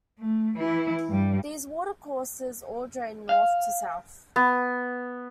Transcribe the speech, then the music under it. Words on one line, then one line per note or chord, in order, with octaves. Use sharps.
These watercourses all drain north to south.
A3
E3 E4
G2 G3
F5
B3